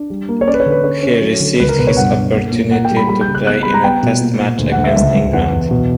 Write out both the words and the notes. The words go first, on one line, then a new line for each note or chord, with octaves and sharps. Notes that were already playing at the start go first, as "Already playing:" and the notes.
He received his opportunity to play in a Test match against England.
Already playing: D4
G3
A#3
C#5
C#4 D5
B4
C#5
D3
B4
C#4 C#5
C#4
F#3
D3
C#2 B4
A#4
B2 B4
C#5
G2 F#5
G2
A#3
A#2
A#3 F#5
G5
G3
B5
G3 B5
G6
C#3
F#6
B3 F#6
G3 B5
A#5
B3 G5
B2
A#2
A#2
D2
F#5
D2
E5
C#2 E5
C#2
E2 F#5
E2
B2